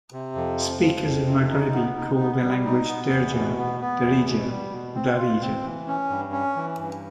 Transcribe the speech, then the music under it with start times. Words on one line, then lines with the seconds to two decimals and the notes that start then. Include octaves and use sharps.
Speakers of Maghrebi call their language Derja, Derija or Darija.
0.13 C3
0.35 F2
0.58 F3
0.81 F3
1.05 F2
1.26 C3
1.50 D#4
1.73 B3
1.96 D#4
2.19 B3
2.41 G3
2.65 D#4
2.87 B3
3.10 E2
3.34 B2
3.57 B3
3.80 B3
4.03 E2
4.26 B2
4.49 G3
4.71 B2
4.95 C4
5.17 F4
5.41 C4
5.63 E3
5.87 C#4
6.10 G2
6.32 C#4
6.56 E3
6.78 G2